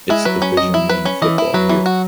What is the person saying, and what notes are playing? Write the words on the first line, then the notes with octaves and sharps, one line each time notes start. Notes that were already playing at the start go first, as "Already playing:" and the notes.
It's Division One football here.
G#3 E4
F#3 B4
C#4
D#5
E4
B4
C#4
E3 D#5
E4
F#3 B4
E3
F#4